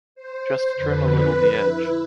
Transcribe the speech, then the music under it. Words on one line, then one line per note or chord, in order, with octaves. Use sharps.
Just trim a little the edge.
C5
C5
F2 D3 B4
B4
E4